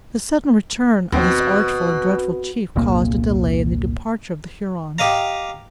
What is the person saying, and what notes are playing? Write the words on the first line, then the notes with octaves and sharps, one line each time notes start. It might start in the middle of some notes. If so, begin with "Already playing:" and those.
The sudden return of this artful and dreaded chief caused a delay in the departure of the Huron.
D#2 B2 C4
E1 C2 A#2 A#3
G4 D#5 F5 A#5